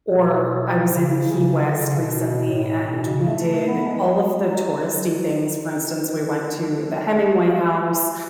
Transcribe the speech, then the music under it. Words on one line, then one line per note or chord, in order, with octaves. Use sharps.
Or I was in Key West recently and we did all of the touristy things. For instance, we went to the Hemingway House,
B2
C#3
C#3
D3
C#3
B2
A2
B2
C#3
A3
B3
G#3
F#3